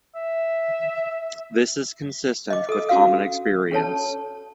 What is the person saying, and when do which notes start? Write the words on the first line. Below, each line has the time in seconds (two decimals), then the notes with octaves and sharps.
This is consistent with common experience.
0.16 E5
2.50 D#5 D6
2.69 A4 D#6
2.89 C#4 F#4 F5
3.71 C#4 A4 C#5 A5